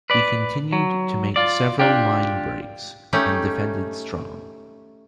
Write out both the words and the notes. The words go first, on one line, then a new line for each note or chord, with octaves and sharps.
He continued to make several linebreaks and defended strong.
B4 D5
F#3
F4 D5
D4 F4 G4
A3 C#4 D#4 G4